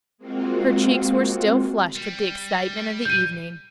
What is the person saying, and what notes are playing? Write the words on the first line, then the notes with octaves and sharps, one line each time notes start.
Her cheeks were still flushed with the excitement of the evening.
G#3 A#3 C4 F4 F#4
G3
G6 D#7